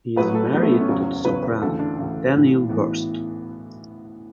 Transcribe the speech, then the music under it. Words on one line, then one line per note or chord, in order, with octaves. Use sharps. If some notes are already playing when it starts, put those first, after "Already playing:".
He is married to the soprano Danielle Borst.
A1 A2 F#3 B4
A4
A1 A2 F#3 B3
A3
B3
C#4
F#1 E2 C#3 F#3
F#1 E2 C#3 F#3 B4
B4
D2 C#3 E3 A4
D4
D2 C#3 E3
B1 A2 E3
A2 E3 B3